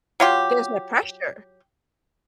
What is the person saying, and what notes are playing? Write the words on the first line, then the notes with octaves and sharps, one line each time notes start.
There's no pressure.
F#3 F4 G4